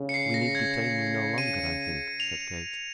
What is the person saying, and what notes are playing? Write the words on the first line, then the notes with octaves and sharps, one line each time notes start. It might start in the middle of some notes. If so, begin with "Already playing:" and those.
'We need detain you no longer, I think,' said Kate.
Already playing: C#3
C#7
C7
A#6
G#6
D#7
F7